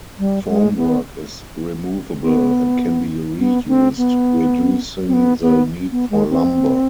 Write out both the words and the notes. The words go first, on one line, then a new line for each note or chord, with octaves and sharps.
Formwork is removable and can be reused, reducing the need for lumber.
G3
G#3
B3
B3
B3
C4
B3
C4
B3
B3
B3
G#3
C4